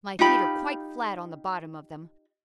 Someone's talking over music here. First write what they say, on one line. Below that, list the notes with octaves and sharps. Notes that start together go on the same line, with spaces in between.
My feet are quite flat on the bottom of them.
D#4 F4 G4 B5